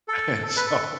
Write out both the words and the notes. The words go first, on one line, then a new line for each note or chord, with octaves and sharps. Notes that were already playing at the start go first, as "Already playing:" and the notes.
And so,
A4
A4
B4
A4